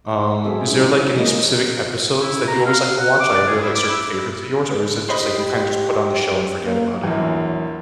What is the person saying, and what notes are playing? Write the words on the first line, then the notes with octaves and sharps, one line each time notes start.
Um, is there, like, any specific episodes that you always like to watch, like, are there, like, certain favorites of yours, or is it just, like, you kinda just put on the show and forget about it?
G#3
F#3 B3 G#4 A4 E5
F#3 G#3 C#4 D#4 E4
F3 G#3 A#3 D#5
E4
A#5
F5
F5
F#5
D6
D5
G#4
E4
D6
E4
G4 C5 D#5 B5
A#3
A#1 E2 F#3